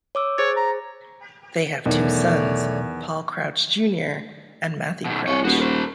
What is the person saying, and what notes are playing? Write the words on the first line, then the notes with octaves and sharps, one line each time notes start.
They have two sons, Paul Crouch, Junior and Matthew Crouch.
C#5 D6 E6
G#4 C5 C#5 A6
A#5
B1 E2 D#3 A3 C#5 D5
B2 D#3
C2 D4 C#5
D#1 B3 F#4
A#4 C5